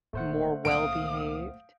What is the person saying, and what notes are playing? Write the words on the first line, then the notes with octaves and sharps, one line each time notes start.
more well-behaved?
D1 A#2 A3 C5 F#5
C#2 A#2 C4 F5 D#6 D7